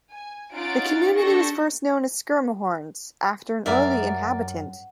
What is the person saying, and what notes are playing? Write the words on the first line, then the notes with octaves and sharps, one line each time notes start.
The community was first known as "Schermerhorn's" after an early inhabitant.
G#5
C#4 D#4 F4 F#5 A6 D7
D4 G4 A4 C#6 A#6
F#2 A#4 D5 E5